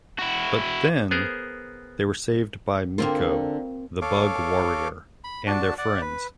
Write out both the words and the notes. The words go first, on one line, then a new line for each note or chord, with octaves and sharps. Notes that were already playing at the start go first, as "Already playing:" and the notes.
But then they were saved by Miko the bug warrior and their friends.
E4 F#4
B3 G#4 A#4 C5
D3 A#3 C4 F4 A#4
A4 C#5 F5 D6
B5
D4 F#4 A5
D5 F#5
B4